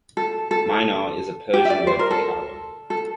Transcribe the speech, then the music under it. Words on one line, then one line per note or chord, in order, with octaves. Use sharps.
Minar is a Persian word for tower.
A4
A4
G4
E5
D5
C5
A#4
A4
A4